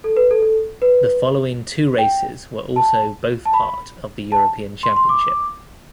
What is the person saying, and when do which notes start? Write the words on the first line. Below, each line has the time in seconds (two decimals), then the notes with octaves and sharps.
The following two races were also both part of the European Championship.
0.04 A4
0.17 B4
0.31 A4
0.42 A4
0.82 B4
1.98 G5
2.76 A5
3.46 A5
3.54 B5
4.32 A5
4.83 C6
4.96 C6
5.09 D6